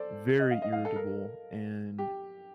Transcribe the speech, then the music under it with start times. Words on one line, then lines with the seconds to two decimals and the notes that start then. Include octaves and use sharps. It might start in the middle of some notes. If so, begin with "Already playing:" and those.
very irritable, and,
Already playing: A4 C5 D5
0.40 D#5
0.51 F5
0.62 D#5
0.72 F5
0.85 A4
0.96 A#4
1.98 G4